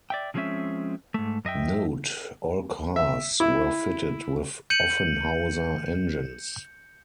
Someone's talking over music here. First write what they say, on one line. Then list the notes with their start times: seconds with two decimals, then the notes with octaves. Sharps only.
Note: all cars were fitted with Offenhauser engines.
0.10 D5 E5 G5
0.34 C#3 F3 G#3 C4 C#4 E5
1.14 G#2 A3
1.45 F#2 D#5 E5 G5
2.96 E5
3.40 E4
4.70 G6 C#7 D#7 F#7